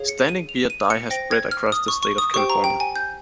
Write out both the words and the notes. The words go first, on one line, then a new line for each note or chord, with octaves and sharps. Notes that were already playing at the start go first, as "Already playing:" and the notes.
Standing beer die has spread across the state of California.
Already playing: G#4 C#5 F5
C#7
D#7
F7
D#7
C#7
C5 G5 A#6
G#6
F6
D#6
C#6
C#6
D#6
G4 C5 G5 C#6
A#5
G5
G#5
G6